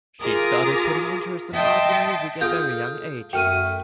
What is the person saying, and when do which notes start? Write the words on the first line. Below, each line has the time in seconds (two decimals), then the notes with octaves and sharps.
She started putting interests in arts and music at very young age.
0.20 F4 G#4 A#4 A#5 D6 D#6
1.53 D#5 E5 G5 A5 C6 D#6
2.41 F4 G#4 A4 A#5 G6
3.33 F#2 A3 G5 F6 D#7